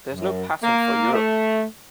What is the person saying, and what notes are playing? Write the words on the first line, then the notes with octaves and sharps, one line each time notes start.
There is no patent for Europe.
F#2
A#3
A3